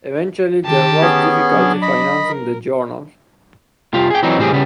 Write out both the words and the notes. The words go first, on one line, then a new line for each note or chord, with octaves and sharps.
Eventually there was difficulty financing the journal.
D#3 G4 A5
B3 C#4 G#4
F#3 D4
D#5 B5
A#4
C2 F4 G4
G#4 G5
E3 F#3 C4 D#4
A2 E3 G3 C4 G4 G#4
C#3 G3 B3